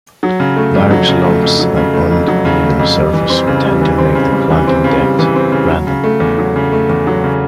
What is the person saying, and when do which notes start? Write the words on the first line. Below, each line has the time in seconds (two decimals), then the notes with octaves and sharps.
Large lumps and uneven surface would tend to make the planting depth random.
0.23 F#3
0.40 C#3
0.56 A3
0.74 F2
0.91 F#3
1.08 C#3
1.25 A3
1.43 F2
1.59 F#3
1.77 C#3
1.94 A3
2.11 F2
2.28 F#3
2.45 C#3
2.62 A3
2.80 F2
2.96 G3
3.14 E3
3.30 C4
3.47 C#3
3.65 G3
3.81 E3
3.98 C4
4.15 C#3
4.33 G3
4.50 E3
4.68 C4
4.84 C#3
5.02 G3
5.19 E3
5.36 C4
5.52 C#3
5.70 F#3
5.87 C#3
6.04 A3
6.20 E2
6.38 F#3
6.56 C#3
6.72 A3
6.89 E2
7.07 F#3
7.24 C#3